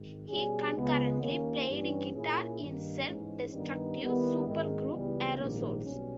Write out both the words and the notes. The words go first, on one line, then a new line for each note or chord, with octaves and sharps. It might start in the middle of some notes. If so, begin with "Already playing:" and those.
He concurrently played guitar in self-destructive supergroup Aerosols.
Already playing: G#1 G#2 D#3
B2 G3 C#4 G#4
C#2 C#3 G#3 B3
D#2 D#3 A#3 C#4
G2 E3 G3 C#4
A#2 A#3 C#4 E4 G#4
G2 D#3 A#3
G#2 E3 G#3 C#4
G2 D#3 G3 B3 D#4
D#2 D#3 G3 B3 E4
G#1 G#2 D#3 G#3
C#2 C#3 E3 G3 B3
A#1 G#2 D#3 G3 A#3
B1 B2 G3 C#4